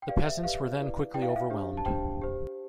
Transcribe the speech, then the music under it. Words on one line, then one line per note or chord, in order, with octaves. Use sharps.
The peasants were then quickly overwhelmed.
G5
G4 B4 D5 F5
E5
G4 B4 D5 F5
E4 B4 D5
E4 B4 D5 G5
F5
E5
F5
D4 G4 C5
A5
D4 G4 C5 G5
G4 C5